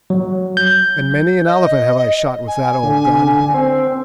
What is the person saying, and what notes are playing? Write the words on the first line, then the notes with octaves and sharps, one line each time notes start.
And many an elephant have I shot with that old gun.
F#3
G6
D#5
G#5
D3
C4